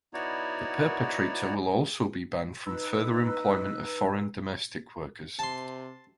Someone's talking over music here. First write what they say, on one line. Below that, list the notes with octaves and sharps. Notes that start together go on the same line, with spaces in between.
The perpetrator will also be banned from further employment of foreign domestic workers.
B3 D#4 E4 F#4 C#5 D5
D#4 B4 E6
C3 A5 C6